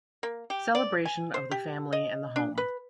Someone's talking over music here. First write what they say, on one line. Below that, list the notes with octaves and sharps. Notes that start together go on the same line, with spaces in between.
Celebration of the Family and the Home.
A#3
G4
D5
G#5
C5
G4
D#5
D4
B4